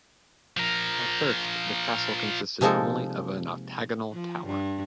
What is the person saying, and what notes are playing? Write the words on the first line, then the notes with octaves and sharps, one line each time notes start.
At first the castle consisted only of an octagonal tower.
F3 A#4
C3 F3 G#3 A#3 D#4 A4
F3
G2